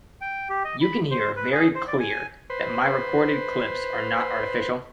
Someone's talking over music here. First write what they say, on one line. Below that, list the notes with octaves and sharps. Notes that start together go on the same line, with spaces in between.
You can hear very clear that my recorded clips are not artificial.
G5
G4
D#5
B5
C5
B4
G#4
C5
D5
G#5
B4 C5